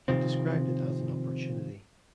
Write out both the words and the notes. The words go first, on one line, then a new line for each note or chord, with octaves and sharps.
He described it as an opportunity.
C3 D#3 F3 C4